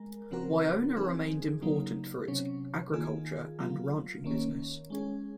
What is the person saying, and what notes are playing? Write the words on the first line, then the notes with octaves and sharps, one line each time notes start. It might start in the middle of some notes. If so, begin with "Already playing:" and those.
Wynona remained important for its agriculture and ranching business.
Already playing: G#3 A#4
C#3 F3 C4 F#4 A#4
F3 C4 D#4 G#4
C#3 F#3 A#3 D#4
C3 F#3 C#4
D#3 A#3 F4 G#4
F#3 A#3 F4
D#3 A#3 C#4
G#3 C#4 G#4